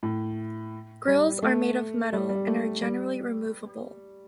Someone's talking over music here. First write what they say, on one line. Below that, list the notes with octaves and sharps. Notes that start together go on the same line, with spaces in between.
Grills are made of metal and are generally removable.
A2
G3
A3
G3
G3
A3
G3